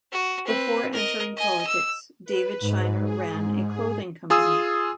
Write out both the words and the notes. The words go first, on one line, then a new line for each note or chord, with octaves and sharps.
Before entering politics, David Shiner ran a clothing company.
F#4
C4 B4
A#4 D#5
D#5 G#5
E6
B4
G#2
G#4
G#2
G#4
F4 G#4 G#5 D#6 E6